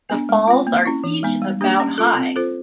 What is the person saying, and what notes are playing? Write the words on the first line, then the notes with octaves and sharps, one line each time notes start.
The falls are each about high.
B3 D4
G#3
C4 F4
A#3
C#4 E4
E3
G#3 B3 D#4
G3
A#3 D4 G4
C#4
F4 A4
C4
F4 A4 C5